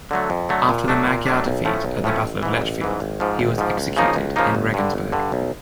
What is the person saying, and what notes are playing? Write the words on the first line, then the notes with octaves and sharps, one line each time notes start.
After the Magyar defeat at the Battle of Lechfeld, he was executed in Regensburg.
D3 F#3 A3
F2
D3 F#3 A3
A#2
F#3 A3 D4
A#2
F#3 A3 D4
B1
A2 F3 A3 C#4
B1
A2 F3 A3 C#4
A1
G#2 E3
A1
G#2 E3
G#1
G#2 F3
G#1
G#2 F3
C#2
C#3 F3 A#3 D#4
C#2
C#3 F3 A#3 D#4
G1
G2 D3
G1
G2 D3
B1